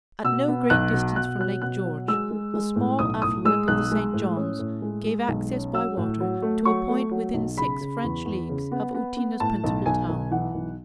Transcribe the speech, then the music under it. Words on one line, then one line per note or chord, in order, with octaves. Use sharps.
At no great distance from Lake George, a small affluent of the St. John's gave access by water to a point within six French leagues of Outina's principal town.
B2 E6
B3
B1 F#6
B2
B2 F#6
F#3 F#6
B2 F#6
F#3
G#3 E6
G#3
G#3
A2
B1 D#6
A2 D#6
G#3 E6
B1 F#6
G#3
A2
C#4
A2
G#3
G#3
B1
C#4
F#3 E6
A2
F#3
A3
F#3 C#6
A3
F#3
B1
C#3 B5
C#3
E2
E2
C#3
B3
B3
B3
A2 A5
B1
B1 G#5
B1
E3 F#5
B1